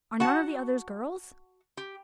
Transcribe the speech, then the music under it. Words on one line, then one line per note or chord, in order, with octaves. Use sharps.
"Are none of the others girls?"
F#4 F#5 A5
G4